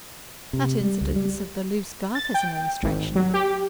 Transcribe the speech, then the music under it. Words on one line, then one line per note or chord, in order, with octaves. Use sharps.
That incident of the loose girth is an illustration.
C3
G3
C#2
G3
A6
G5
G#1
F#3
G4